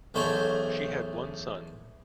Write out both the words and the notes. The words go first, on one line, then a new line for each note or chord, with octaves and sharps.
She had one son.
B1 E2 A3 C5 C#5 G#5